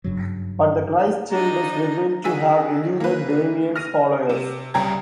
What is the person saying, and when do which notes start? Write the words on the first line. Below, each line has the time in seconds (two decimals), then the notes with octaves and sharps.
But the Christ-child is revealed to have eluded Damien's followers.
0.04 F#1 G2 C#3 F#3
1.31 D4 D#4 D#5 A#5
2.24 D#4 F#4 G#4 E6 B6 D#7
3.00 A#3 B4
3.76 F6 A#6 D#7
4.29 C3
4.74 C2 C#3 G3 G5 A#5 G#6